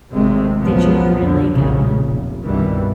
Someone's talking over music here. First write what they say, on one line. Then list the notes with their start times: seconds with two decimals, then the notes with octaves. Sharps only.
Did you really get one?
0.12 G#1 G#2 C3 G#3 A3 C4
0.60 C2 F#2 A#2 F3 B3
1.19 F2 D3
1.51 F1 B1 A#2 C#3
2.02 F1
2.44 C2 G2 B2 D#3 E3 G3